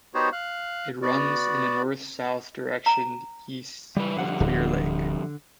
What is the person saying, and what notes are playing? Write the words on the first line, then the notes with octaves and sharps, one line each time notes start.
It runs in a north-south direction east of Clear Lake.
B3 D#4 F#4 G4 C5 C#5
F5 F#6
B3 F#4 D5
A#5
C#3 E3 G3 B4
F2 D3 G3 F#5
D1